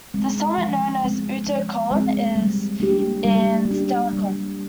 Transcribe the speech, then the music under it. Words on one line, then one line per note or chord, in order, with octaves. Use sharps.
The summit, known as Uto Kulm, is in Stallikon.
G#3 C4
F3
G#3 C4
F3
G#3 C4
G3
A#3 D4 G4
G3
A#3 D4 G4
G3